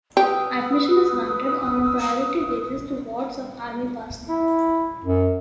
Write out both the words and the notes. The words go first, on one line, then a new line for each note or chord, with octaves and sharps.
Admission is granted on a priority basis to wards of Army personnel.
G4 B4 D#6 E6
E4
F#2